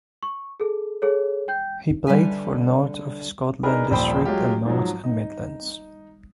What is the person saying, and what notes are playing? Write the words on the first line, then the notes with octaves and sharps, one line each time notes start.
He played for North of Scotland District and North and Midlands.
C#6
G#4 A4
G#4 A4 C#5
G5 G6
D3 G3 B4 E5 G#5
D4 D#4 G#4 A#4 B4
D#1 A#1 A#2 C5 G5 B5
F#3 G#3 F4 G4
G#2 F3 F#3
D#4